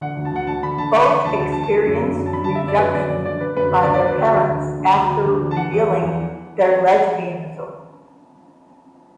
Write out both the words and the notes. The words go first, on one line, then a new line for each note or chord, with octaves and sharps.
Both experienced rejection by their parents after revealing their lesbianism.
D3 F#5
D2
A5
D2 F#5
D3 A5
D3 B5
D3 A5
D3 F#5
D3 B5
D2 A5
D2 A5
A5
D2
A5
D3
F#2
F#2
D3
A5
D3 B5
D3 A5
E5
F#2 D5
D3 B4
F#2 D5
D3 D5
D3 D5
D3 B4
F#2 B4
D3 B4
D5
D2
D5
D2 B4
D2 D5
D3
D2
D3
D3
D2
D3
D2
D3
A5
E3 F#5
E2
E3
E2
E3